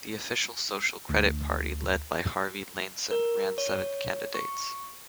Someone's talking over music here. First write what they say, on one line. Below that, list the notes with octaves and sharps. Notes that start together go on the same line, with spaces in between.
The official Social Credit Party led by Harvey Lainson ran seven candidates.
D2
A#4
C#5
C#6